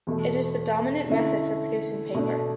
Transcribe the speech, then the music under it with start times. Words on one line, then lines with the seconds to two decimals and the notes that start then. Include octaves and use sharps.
It is the dominant method for producing paper.
0.07 E2 B2 A3
1.10 D3 A3 C#4 E4
2.14 B2 A3 D4